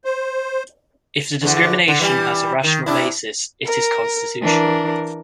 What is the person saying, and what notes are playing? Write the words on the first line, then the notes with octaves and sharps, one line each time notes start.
If the discrimination has a rational basis, it is constitutional.
C5
E2 D3
D3
E3 G3
D#3
C3 D4 E4
A#4
E3 D4 A#4